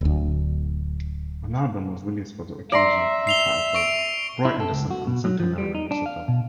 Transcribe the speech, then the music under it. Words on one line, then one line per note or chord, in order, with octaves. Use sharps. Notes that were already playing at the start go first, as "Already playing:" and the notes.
An album was released for the occasion, entitled "Roy Henderson: A Centenary Recital".
D1 D2
D5 E5 A#5 C6
C7 F7 G7
C#6 D7
E4
A4
C#2
F#4
B2
F#3
F3
G3
D#4
D4
F5
B2